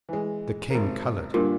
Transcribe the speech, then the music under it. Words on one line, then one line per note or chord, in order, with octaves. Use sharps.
The king colored.
E3 G#3
G#1 A#4
G2 A#2 D3